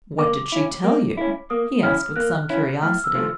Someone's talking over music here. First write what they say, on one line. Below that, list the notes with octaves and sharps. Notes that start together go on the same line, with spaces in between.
"What did she tell you?" he asked with some curiosity.
A#3 D6
C#4 E4
A#3
C#4 E4
A#3 D#6
C#4 E4 F6
A#3 F#6
C#4 E4
A2 F6
E6
F3 A3